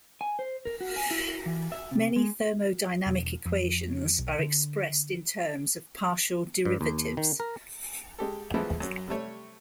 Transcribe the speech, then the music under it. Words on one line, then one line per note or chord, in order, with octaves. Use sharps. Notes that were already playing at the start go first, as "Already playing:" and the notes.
Many thermodynamic equations are expressed in terms of partial derivatives.
G#5
C5
A#4
F#4
G#5
E4
E3
E5
C3
G#3
E1
F2
B1
D3
G2
D#2
D#3
A#4
G#3 G4 A4
E3 F3 G#3 A3 B3 E4
F#2 F#3
C3 G3 A3 C#5